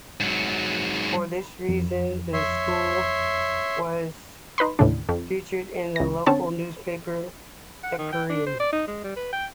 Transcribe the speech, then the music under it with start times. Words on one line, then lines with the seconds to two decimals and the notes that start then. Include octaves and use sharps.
For this reason, the school was featured in the local newspaper "The Courier".
0.20 G#2 F#3
1.69 F2
2.33 C#5 E5 C6
4.58 D#4 B4 B5 C6
4.79 A1 D#2 A2 C#3 D4
5.09 F2
5.96 C#2 A#6
6.26 D3 C4 C#4 C#5 A5
7.84 F#5
7.99 D#3
8.12 G5
8.30 D4
8.46 C5
8.60 D5
8.72 D#4
8.88 G#3
9.04 G3
9.16 B4
9.33 G5